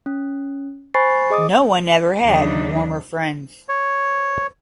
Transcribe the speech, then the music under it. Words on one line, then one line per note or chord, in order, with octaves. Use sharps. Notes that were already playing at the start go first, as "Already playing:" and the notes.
No one ever had warmer friends.
C#4
C5 G#5 B5 C#6 A6 C7
G#4 D#5 D6 D#6
D#2 C#3 E3 F#3 D4 D#4
C#5